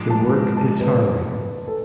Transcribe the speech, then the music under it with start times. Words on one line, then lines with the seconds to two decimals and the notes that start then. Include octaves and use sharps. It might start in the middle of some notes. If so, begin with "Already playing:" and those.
The work is harrowing.
Already playing: G#2 F3 G#3 D4
0.10 A5
0.57 A5
0.80 B4
1.68 A4